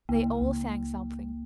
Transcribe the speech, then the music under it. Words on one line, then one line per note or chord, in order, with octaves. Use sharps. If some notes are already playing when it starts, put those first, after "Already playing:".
They all sang something.
C#2 A#3
C#2